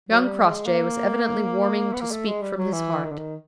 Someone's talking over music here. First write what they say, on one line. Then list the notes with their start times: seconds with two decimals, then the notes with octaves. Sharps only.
Young Crossjay was evidently warming to speak from his heart.
0.09 F#3
0.24 G3
0.45 G#3
0.66 A#3
1.93 B3
2.01 A#3
2.11 A3
2.27 G#3
2.42 G3
2.57 F#3
2.73 E3
3.04 D#3
3.11 D3
3.18 D#3